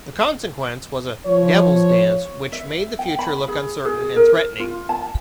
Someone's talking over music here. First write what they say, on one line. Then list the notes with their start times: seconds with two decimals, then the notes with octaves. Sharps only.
The consequence was a "devil's dance" which made the future look uncertain and threatening.
1.26 F3 C#5
2.52 E5
2.99 G5
3.19 B5
3.48 G#4
3.85 G#4
4.16 A#4
4.60 F4
4.89 A5